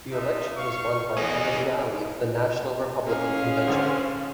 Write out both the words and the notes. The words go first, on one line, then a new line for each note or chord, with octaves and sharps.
The election was won by Ahmadu Ali of the National Republican Convention.
D#4 F4 E5
F5 C#6
B3 G#4 D#5
G#3 A#3 C#4 G#4 F5
G#1 D3 C5